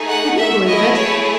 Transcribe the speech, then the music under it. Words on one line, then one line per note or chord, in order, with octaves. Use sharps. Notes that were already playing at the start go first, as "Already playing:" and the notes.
Would you believe it?
Already playing: A3 D#4 G#4
F#5
E5
A3 E4 G#4 D#5
C#5